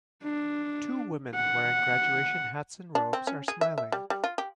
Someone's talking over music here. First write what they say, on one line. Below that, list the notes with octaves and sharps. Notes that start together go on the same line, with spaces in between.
Two women wearing graduation hats and robes are smiling.
D4
F#5
D4
C4
C#4
G#4
E5
E5
G3
G3
F4
G4